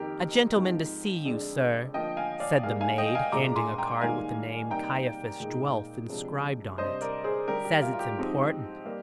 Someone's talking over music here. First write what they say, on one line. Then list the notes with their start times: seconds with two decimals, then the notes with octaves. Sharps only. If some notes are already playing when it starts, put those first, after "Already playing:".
"A gentleman to see you, sir," said the maid, handing a card with the name Caiaphas Dwelf inscribed on it; "says it's important."
Already playing: F2 D#3 A#3 G4 A#4
0.56 G#2 F3 G#3 C4 D#4
1.25 F2 D3 G#3 D4
1.94 D3 F3 A#3 D#5 G5
2.17 F5 G#5
2.40 D5 F5
2.63 G#2 G3 A#3 F5 G#5
2.81 F5 G#5
2.98 D#5 G5
3.15 F5 G#5
3.32 A#2 G#3 D4 A#5 D6
3.56 G#5 C6
3.78 G5 A#5
4.01 G#2 D#3 G3 A#3 F5 G#5
4.70 C3 G3 A#3 D#4 G5 A#5
5.40 A#2 G#3 D#4
6.09 C3 F3 G#3 D4
6.78 C3 G3 D4 C5 D#5
7.01 A#4 D5
7.24 G#4 C5
7.48 D3 G3 D4 G4 A#4
7.65 G4
7.82 F4
7.93 F4
7.99 G4
8.17 G#2 F3 C4 D#4
8.86 G3 A#3